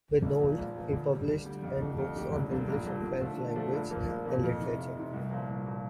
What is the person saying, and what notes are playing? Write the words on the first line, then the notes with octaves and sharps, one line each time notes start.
With Nolte he published handbooks on English and French language and literature.
A#1
A#2 F3
A#1
A#2 F3
D2
D3 G3
D2
D3 G3
F2
D3 A3 D4 G4
F2
D3 A3 D4 G4
A#1
A#2 G3 D4 A4
A#1
A#2 G3 D4 A4
D3
F3 A3 D4 A4
D3
F3 A3 D4 A4
A#1
A#2 F3 A#3
A#1
A#2 F3 A#3
F2
C3 E3
F2
C3 E3
C2
A#2 F3
C2
A#2 F3